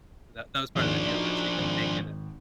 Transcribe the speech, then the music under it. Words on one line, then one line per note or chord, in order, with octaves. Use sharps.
So that that was part of the deal that she could take it and
G#1 D#2 G#2 F3 D4
D#4 F#4 D5
G#1